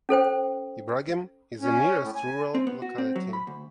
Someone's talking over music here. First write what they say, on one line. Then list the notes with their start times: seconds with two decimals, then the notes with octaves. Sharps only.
Ibragim is the nearest rural locality.
0.09 C#4 A4 C5 G5
1.61 C#4
2.00 A2
2.15 G#5
2.55 C4
2.67 B3
2.82 F#4
2.98 C4
3.16 F#3
3.33 B5
3.47 D2